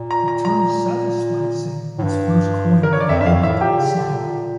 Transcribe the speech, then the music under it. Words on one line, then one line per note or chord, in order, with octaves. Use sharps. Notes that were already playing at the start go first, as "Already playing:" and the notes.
The term satisficing was first coined by Herbert Simon.
Already playing: A#2
A#5
A#5
A#5
A2
G2
A#4
C#5
D5
F2 E5
G2 E5
F2 F5
A2 E5
A#2 G4
C#3
D3
A#2